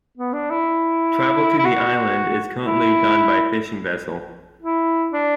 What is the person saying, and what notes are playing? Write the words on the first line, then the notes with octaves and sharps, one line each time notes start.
Travel to the island is currently done by fishing vessel.
B3
D4
E4
E4
F#4
E4
E4
D4